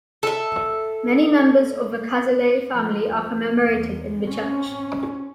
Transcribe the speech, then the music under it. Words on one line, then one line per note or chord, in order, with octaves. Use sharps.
Many members of the Cazalet family are commemorated in the church.
A4 E5
F3
E2
C4 C#4